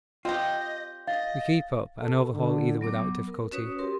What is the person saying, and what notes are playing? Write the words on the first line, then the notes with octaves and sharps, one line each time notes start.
We keep up and overhaul either without difficulty.
C4 F4 G4 D#5
D#5 F5 A6
A4
D3
F#3 B3 D6
A#4
C#4 F#4 B4 C#5 D#6
G4 A#4 C6